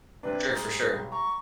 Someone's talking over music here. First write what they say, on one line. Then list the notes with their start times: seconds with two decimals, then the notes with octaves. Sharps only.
For sure, for sure.
0.23 C3 D4 B4
0.49 G#2 G3 G#4
0.93 B1 G3
1.12 A#5 C#6